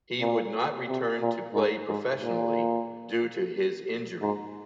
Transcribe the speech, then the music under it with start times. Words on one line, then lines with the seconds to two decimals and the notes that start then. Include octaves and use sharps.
He would not return to play professionally due to his injury.
0.21 A#2
0.88 C3
1.21 A#2
1.54 G#2
1.88 G#2
2.21 A#2
4.21 G#2